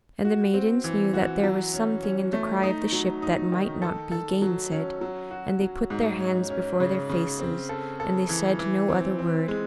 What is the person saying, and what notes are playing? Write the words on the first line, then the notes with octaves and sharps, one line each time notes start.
And the maidens knew that there was something in the cry of the ship that might not be gainsaid, and they put their hands before their faces, and they said no other word.
F#4
C4
E3
F#4
F#3
C#4
C#4
A3
D#4
F#3
D#4
D#3
A4
A4
F#3
C#4
F#3
F#4
F#3
G#2
C#4
C#4
C#3
C#3
C4
A4
A4
E3
E3
C4
C4
G#3